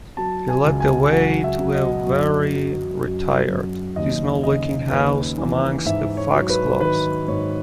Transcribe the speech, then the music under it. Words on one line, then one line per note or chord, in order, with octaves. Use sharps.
He led the way to a very retired, dismal-looking house amongst the foxgloves.
F#3 A5
G#5
C#2
G#5
F#3 F#5
E5
F#3
D#5
F#2
F#3
F#2
F#2
D#2 D#5
C#3 D#5
D#2 B4
E3
G#2 E5
C#5
F#3
B4
D#3 B4
G#2 C#5